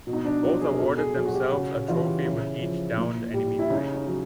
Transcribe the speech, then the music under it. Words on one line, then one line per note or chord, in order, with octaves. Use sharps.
Both awarded themselves a trophy with each downed enemy plane.
B2
D#4
D4
F#3 D#4
G#4
A#4
B2 A4
G#4
F#3 G#4
F#4
G4
C#3 F#4
E3 G3 F4
C#3 E4
F3
A#2
G3
E4
C#3 D#4
D#4
F#3